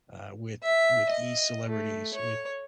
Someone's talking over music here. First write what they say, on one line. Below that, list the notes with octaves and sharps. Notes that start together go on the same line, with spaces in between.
uh, with with e-celebrities, with
E5
D#5
A3
C#5